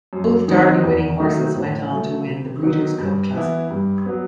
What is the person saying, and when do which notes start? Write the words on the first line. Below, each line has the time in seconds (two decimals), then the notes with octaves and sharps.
Both Derby-winning horses went on to win the Breeders' Cup Classic.
0.13 F#2
0.48 D#3 F#3 C4 D#4
0.84 E2
1.20 D#3 F#3 A3
1.55 A2
1.91 F#3 A3
2.27 C3
2.63 D#3 F#3 B3 D#4
2.98 G2
3.35 E3 B3 E4
3.70 G2
4.06 F#3 B3